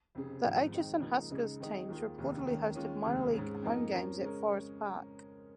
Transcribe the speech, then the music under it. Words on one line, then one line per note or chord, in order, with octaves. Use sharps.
The Atchison Huskers teams reportedly hosted minor league home games at Forest Park.
F1 F2 C#3
G#1 G#2 F3
F2 D#3 G#3 D#4
C#2 C#3 F3 A#3 D#4
C#2 C#3 G#3 D#4
F2 D#3 G#3 D#4
D#2 D#3 A#3 F4 G#4
F1 D#2 D#3 A#3
D#2 D#3 A#3 C#4
D#2 D#3 G#3 C#4 F4
F1 D#2 C#3 G#3
G#2 G#3 C#4 G#4
F2 F3 A#3 D#4 A#4
F2 F3 C#4 A#4
C#3 G#3 C#4 A#4